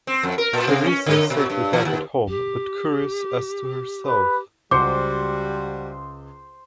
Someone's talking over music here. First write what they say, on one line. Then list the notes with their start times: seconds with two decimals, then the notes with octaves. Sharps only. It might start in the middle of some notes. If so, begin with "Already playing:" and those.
Theresa is safely back at home, but curious as to herself.
0.07 C4
0.23 F2
0.38 A#4
0.53 A#2
0.67 C3
0.86 C#4
1.06 D3
1.30 B2
1.50 G2
1.73 E3
1.85 D#2
2.28 G4
4.07 B4
4.71 C#2 G3 F#4 C5 D6 G6 C#7